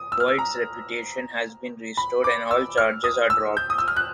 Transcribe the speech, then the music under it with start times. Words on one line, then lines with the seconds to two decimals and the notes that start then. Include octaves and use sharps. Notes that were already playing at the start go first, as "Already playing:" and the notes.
Boyds reputation has been restored and all charges are dropped.
Already playing: D#6
0.12 E6
0.20 F6
0.28 E6
0.38 A#5
1.97 B5
2.24 D6
2.51 E6
2.78 F6
3.04 D#6
3.30 E6
3.57 G6
3.70 D#6
3.78 E6
3.88 F6
3.96 F#6